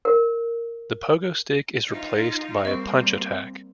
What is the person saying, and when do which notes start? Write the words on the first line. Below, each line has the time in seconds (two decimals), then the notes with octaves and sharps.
The pogo stick is replaced by a punch attack.
0.05 A#4
1.88 D#4 F4
2.65 G3 A#3 C4 D#5 C#6